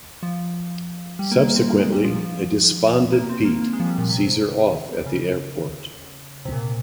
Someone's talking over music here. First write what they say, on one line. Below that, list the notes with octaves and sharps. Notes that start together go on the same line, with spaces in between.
Subsequently, a despondent Pete sees her off at the airport.
F3
G3
A#3
A#3
C4
A#3
G#3
G3
F3
F3
A#3
C4
A#3
A#3
G#3
F3
G3
A#2
C3
C#3
C3
A#2